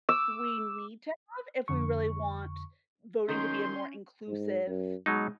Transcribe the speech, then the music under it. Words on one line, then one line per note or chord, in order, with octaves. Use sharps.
we need to have if we really want voting to be a more inclusive
D6 E6
F2 D3 C#6
D#3 F#3 C#4 C6 G6
G#2
F#2
B2 F#3 G#3 D#4